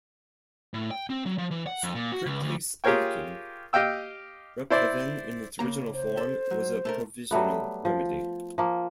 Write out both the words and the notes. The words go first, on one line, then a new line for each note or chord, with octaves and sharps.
Strictly speaking, replevin in its original form was a provisional remedy.
A2
G5
C4
F#3
F3
E3
F#5
F2
A#2
F#4
C#2
D2
F4 G4 G#4 A#4 C#5 G5
G4 D#5 F5 G5 E6
E4 C5 D5
C#3 A#3 A#5
C5
A4
F#3
A3 A4 A#4
F#3 G3 A3 B3
F3
F3 A#3